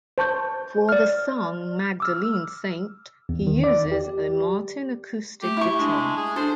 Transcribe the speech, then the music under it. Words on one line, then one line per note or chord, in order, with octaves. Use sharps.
For the song, "Magdalene Saint" he uses a Martin acoustic guitar.
C5 A5 C#6 G6
D5 F6
D6 E6 F6
E2
D#3
D5
G4
A3 G4
E4 C#6
G#3 D4
G#4
D4 A4 C5